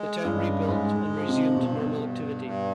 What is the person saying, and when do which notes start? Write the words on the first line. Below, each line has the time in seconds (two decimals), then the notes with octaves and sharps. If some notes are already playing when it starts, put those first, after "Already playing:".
The town rebuilt and resumed normal activity.
Already playing: G#3
0.24 G2 C#3
0.68 G#2 G#3
1.13 F3
1.28 C3
1.56 G2 B2
2.00 G2
2.44 G2